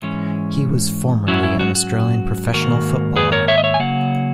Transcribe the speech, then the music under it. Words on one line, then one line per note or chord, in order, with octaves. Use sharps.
He was formerly an Australian professional footballer.
G#2 E3 G#3 C#4
G#2 F#3 C#4 E4 F#4
E4
F#4
F#4
G#2 D#3 A#3 F#4 A#4
G#4 B4
A#4 C#5
C#5 E5
D#5
C#5 E5
G#5
C#3 F#3 A#3 F#5